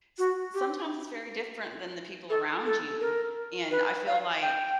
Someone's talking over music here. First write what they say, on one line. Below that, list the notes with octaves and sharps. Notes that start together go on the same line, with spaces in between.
s sometimes it's very different than the people around you, and I feel like
F#4
G4
A4
A4
A#4
B4
F5
G5